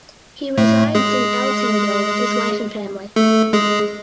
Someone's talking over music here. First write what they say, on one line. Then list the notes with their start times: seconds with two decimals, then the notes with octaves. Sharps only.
He resides in Eltingville with his wife and family.
0.58 A2 A3
0.95 G#3 G#4
3.16 A3 A4
3.53 G#3 G#4